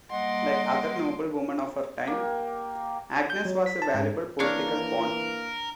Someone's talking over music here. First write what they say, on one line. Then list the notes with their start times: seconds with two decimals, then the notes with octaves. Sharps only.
Like other noble women of her time, Agnes was a valuable political pawn.
0.11 G3 A#3 D#5 F#5 C6 D6
2.07 A#3 G4
3.30 G6
3.45 F#3
3.66 B6
3.82 A5
3.94 G#2
4.40 E3 A#3 D4 A#4 C#5 F5